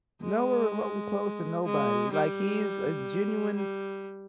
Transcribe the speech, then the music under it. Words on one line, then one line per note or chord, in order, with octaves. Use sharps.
Now we're remotely close to nobody, like he's a genuine
G#3
G#3
G3
G3